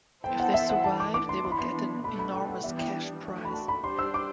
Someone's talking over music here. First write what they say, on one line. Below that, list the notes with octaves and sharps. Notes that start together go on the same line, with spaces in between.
If they survive they will get an enormous cash prize.
E3 B3 E4 A4 C5 G5
F#5
E5
F#5
E3 A3 D4 A5
D6
D6
C6
E3 B3 D4 C6
B5
C6
B2 A3 D4 F#4 B5
B5
G5
F#5
E3 G3 B3 D4 E5
G5
A3 D4 F#4
B5
A5
B5
G3 D4 G4 C5 C6
E6
D6